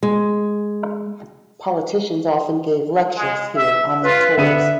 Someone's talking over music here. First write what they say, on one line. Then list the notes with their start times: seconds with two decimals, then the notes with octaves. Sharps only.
Politicians often gave lectures here on their tours.
0.03 G#3
3.16 G#3
3.55 E5
4.04 F4 B4
4.37 D3 B3 E5 D#7